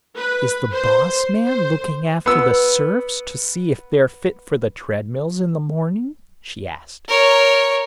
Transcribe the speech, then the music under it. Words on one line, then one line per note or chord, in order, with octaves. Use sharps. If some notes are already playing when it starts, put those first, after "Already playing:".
"Is the boss-man looking after the serfs, to see if they're fit for the treadmills in the morning?" she asked.
B4
C5
C5
B3 E6
A#4 C#5